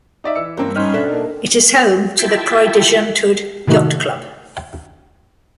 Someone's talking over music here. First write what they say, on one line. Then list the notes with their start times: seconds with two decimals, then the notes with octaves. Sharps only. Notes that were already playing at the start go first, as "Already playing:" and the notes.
It is home to the Creux-de-Genthod yacht club.
0.24 D#4 D5 E5
0.36 E3 E6 C#7
0.57 G2 A#3 C4
0.76 G#2 C#4 C5 D#5 G5 B5 F6
0.94 B2 D4 A4 B4 E5
1.09 A#3 D#4
2.19 E4 F4 G4 E5 G5 A5
3.68 A2 C3 D#3 A3 D#4 F#4